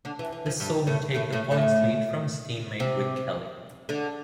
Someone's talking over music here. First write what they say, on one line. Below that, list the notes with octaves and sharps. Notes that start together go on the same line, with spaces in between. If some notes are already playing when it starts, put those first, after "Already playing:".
This saw him take the points lead from his team mate Rick Kelly.
D3 D4
E3
E3
F2 F3
G2 G3
A2 A3
A2 A3
A2 A3
A2 A3
C3 C4
D3 D4